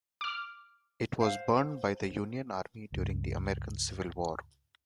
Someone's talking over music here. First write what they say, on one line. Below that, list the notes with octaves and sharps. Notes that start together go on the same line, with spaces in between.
It was burned by the Union Army during the American Civil War.
D6 F6
C5 F5 F#5
C#2 G2